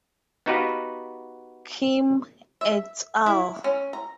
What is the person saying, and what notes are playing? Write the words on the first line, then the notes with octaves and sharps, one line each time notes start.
Kim "et al".
B3 D#4 F#4 G4 B4 F5
E5
E4
C#4
A#5